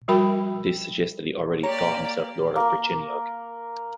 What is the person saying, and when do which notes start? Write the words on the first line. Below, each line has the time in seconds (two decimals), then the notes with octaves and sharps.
This suggests that he already thought himself lord of Brycheiniog.
0.08 F3 G3 F#4 A#4 G5 B5
1.63 A#3 G4 C#5 D5 A#5
2.56 A#3 A#4